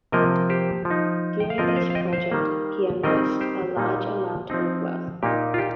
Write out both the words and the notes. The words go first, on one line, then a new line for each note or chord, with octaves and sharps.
During this project, he amassed a large amount of wealth.
C3 F3 A#3 A#4 D#5
G4 C5
F3
D#4
G5
F5
F3 C4 F4 A#4 D#5
D#5
C5 F5
F5
D#5 G5
C5 F5
D#3 G3 A#3
D#3 G3 C4 D#4 A#4 D#5
G4 C5
A#2 G3 A#3 D#4
F3 C4 D#4
A#2 A#3 D#4 G4
F4
G4